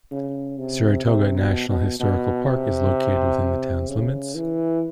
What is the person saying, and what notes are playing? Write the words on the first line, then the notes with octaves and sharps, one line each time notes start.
Saratoga National Historical Park is located within the town's limits.
C#3
C3
C3
B2
B2
B2
C3
C#3
E3